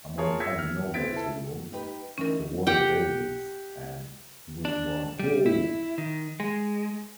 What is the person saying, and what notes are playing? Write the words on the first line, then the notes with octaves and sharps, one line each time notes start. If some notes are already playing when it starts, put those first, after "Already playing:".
Among other novels he wrote "The Water Babies" and "Westward Ho!".
F4 G#4 A#4 C#5 A5
E6 G#6 A#6 B6 C#7
F6
B3 C4 G#6 A6 B6 D7
E4 A4
D#4 G4 B4
D2 E3 C#4 D#4 A#4
G4 F#5 G5
D4
G3
E4
D#3
G#3